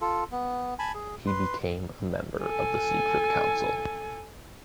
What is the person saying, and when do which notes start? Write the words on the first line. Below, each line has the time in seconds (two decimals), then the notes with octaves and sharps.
He became a member of the secret council.
0.01 F4 A4
0.32 B3
0.79 G#5 A5 B5
0.94 G#4
1.27 B4 C6
2.42 A4 G#5